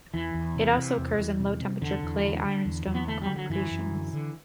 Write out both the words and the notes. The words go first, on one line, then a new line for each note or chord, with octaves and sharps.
It also occurs in low-temperature clay-ironstone concretions.
E2 E3
E2
C3
C3
E2
E2
C3
C3
E2 D3
E2
D3
D3
E2
E2
B3
D3 A3
G3
D3
F#3
F#2 E3
F#2
D3
D3